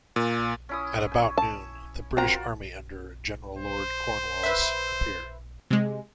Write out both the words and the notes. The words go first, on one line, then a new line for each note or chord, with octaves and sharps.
At about noon, the British army under General Lord Cornwallis appeared.
A#2
C#4 E4 D#6
G#5 C#6
A5
C4 F4 F#4 A#4 A#5
C5
B4 E5
C3 G#3